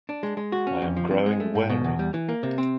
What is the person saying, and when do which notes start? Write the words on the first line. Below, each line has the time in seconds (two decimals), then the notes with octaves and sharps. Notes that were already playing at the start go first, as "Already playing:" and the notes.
I am growing wary.
0.09 D4
0.23 G#3
0.37 G#3
0.52 F#4
0.67 C#4
0.82 F2
0.97 F3
1.11 C4
1.26 G#3
1.40 A3
1.55 G#2
1.70 B2
1.84 E2
1.99 G3
2.14 E3
2.29 A#3
2.43 C3
2.58 C4